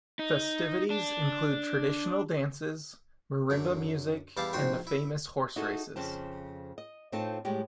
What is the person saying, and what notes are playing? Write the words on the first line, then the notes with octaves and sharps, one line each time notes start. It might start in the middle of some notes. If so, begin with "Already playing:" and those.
Festivities include traditional dances, marimba music and the famous horse races.
D#4
D4
F#2 D3
E2 G3 E4 F5 A5 D6
A#1 G#2 F#4 C5 G5
E4
D#4 E4 F#4 G#4 A4 A5
F2 C#3 C5 A5
D#5
A2 C4 D#4 F4 A4 A5
A2 G3 G#3 G4